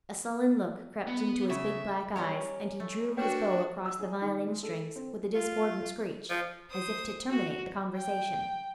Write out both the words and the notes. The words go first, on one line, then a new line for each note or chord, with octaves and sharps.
A sullen look crept into his big black eyes and he drew his bow across the violin strings with a discordant screech, as if to terminate the conversation.
B3
C#3 E5
G3 C#4 A#4 C#5 D5 A#5
A3
D4 F#4 B4 C#5 G5
E6
G#4
D#3
G#3
A4
C4
F4
F3
C5 D#6
F#4
G5